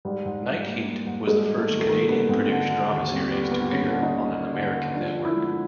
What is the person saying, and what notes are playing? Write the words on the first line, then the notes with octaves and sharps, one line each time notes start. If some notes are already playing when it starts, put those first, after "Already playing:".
"Night Heat" was the first Canadian-produced drama series to air on an American network.
G#2 G3
G#2
G3
A#3
A#3
G#2
G3 G#3
A#3
A3
D#3
A3
D#3 A#3
G3 B3
G#2 C4
D3
D3
D#2
G3 C4
G3 B3
A#3 B3
D#2 C#4
D3
D#4
D3
A#3
D3
D3
F3 D4
F3
E4
G#3